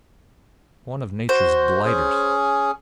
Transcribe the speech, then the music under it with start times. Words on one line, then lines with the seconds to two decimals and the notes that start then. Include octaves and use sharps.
One of Nature's blighters.
1.29 F#4 C5
1.85 C#4 G#4